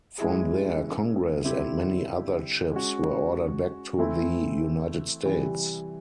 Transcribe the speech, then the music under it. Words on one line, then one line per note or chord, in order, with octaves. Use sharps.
From there, "Congress" and many other ships were ordered back to the United States.
G#3 C#4 E4 G#4
D3 G3 C4 E4 G4
G#3 C#4 F#4
E3 A3 C4 E4
C3 E3 G3